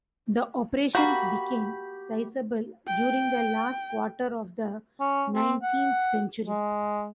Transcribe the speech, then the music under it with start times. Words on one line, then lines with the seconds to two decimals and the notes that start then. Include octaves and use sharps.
The operations became sizeable during the last quarter of the nineteenth century.
0.95 A#3 F#4 G4 B5
2.88 G5
5.00 C#4
5.33 C4
5.63 F#5
6.47 G#3